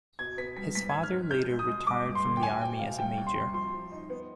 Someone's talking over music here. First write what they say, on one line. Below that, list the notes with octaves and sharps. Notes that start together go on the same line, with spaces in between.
His father later retired from the army as a major.
B2 G#6
B3 B6
G3 B6
G#2 B6
G#6
D#4
F6
C4
B2 G6
G#3
D#6
G#3
G2 D6
G2
C6
D3
G5
D2 G#5
D2 G5
C3 F5
G3 G5
D#2
C6
G3
F3 C6
F3
D#4
B3